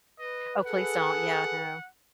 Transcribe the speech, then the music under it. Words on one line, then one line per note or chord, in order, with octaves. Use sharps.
Oh, please don't, yeah, no.
B4 D#5
G#4 A4 F#5